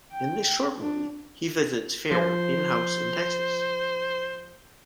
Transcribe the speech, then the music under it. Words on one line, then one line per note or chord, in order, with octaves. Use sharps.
In this short movie he visits Fair in house in Texas.
G5
D4
F3 C5